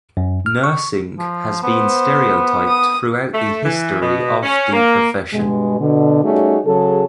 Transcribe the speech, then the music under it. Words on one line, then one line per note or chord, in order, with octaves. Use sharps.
Nursing has been stereotyped throughout the history of the profession.
F#2
F6
C#6
F3
B3 C5
D#6
A3
E3
B2
C#4
A#3
G2 B2 G#3
B2 D3
G3 A3 C#4 D#4 F#4 G#4
C#3 F#3 G#4 A4